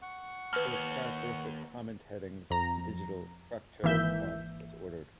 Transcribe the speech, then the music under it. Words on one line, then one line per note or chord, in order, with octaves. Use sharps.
For its characteristic comment headings, a digital "Fraktur" font was ordered.
F#5 C#6
D#2 B4 F6
F2 A#5
G#1 E3 A#3 E5 G6